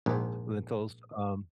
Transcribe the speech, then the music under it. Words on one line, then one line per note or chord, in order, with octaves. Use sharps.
Lentils, um
A#1 G#2